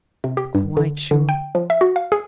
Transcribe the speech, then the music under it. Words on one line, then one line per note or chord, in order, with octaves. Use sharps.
"Quite sure."
C3
G4
G2
D3
D3
G5
F3
E5
F#4
F5
G#4